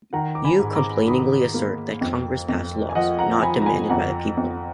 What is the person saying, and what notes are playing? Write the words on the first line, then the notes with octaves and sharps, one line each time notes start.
You complainingly assert that Congress passed laws not demanded by the people.
D#3 F#5 A#5
D6
G#5 B5
G#2
A#5 D6
D#3 B5 D#6
A#3
F2
F2
G#5
F3 D#5 F#5
F#5 A#5
F3 G#5 B5
A#5
G#5 B5
F2 F#5 A#5
F2